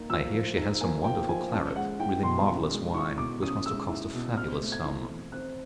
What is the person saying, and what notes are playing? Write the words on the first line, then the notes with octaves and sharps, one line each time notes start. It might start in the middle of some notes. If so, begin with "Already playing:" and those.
I hear she has some wonderful claret, really marvellous wine, which must have cost a fabulous sum.
Already playing: A#3 D#4
F3 E6
F3
D#4
A#3 G#5
F3 G5
F3 G#5
C#4 A5
G#3 F#5
E4 G5
B2 C6
C#4
G#3
E4 C#6
B2 D6
C#4 D#6
G#3 E6
E4
B2
C4 F6
A3
G#6
E4
E3
C4 F#6